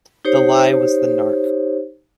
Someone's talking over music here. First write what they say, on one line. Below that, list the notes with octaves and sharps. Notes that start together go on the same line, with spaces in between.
The Lie was the Nark.
D#4 G4 C5 C#5